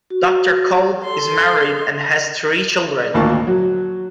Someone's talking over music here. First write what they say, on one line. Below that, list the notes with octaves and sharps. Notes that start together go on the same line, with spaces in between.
Doctor Kolb is married and has three children.
F#4
A4 C6
G#1 D2 A#2 A#3 A5 C#6
F#3